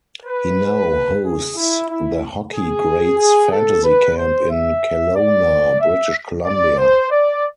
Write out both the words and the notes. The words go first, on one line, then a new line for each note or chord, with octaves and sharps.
He now hosts the Hockey Greats Fantasy Camp in Kelowna, British Columbia.
B4
G#4
E4
E4
G#4
G#4
A4
B4
C5
E5
D5
E5
D5
C5
D5